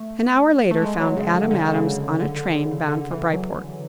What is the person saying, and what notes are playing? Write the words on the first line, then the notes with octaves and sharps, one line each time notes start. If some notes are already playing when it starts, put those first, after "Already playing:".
An hour later found Adam Adams on a train bound for Bryport.
Already playing: A3
A3
G#3
F#3
C#3
D3
D3
C#3
D3
D3
C#3
C#3
D3
E3
F#3